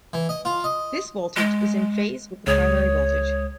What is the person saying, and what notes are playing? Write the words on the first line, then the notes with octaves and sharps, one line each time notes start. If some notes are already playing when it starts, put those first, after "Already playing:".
This voltage is in phase with the primary voltage.
E3
D#5
F4
D#5
G#3
C#2 G#3 C#5 D#6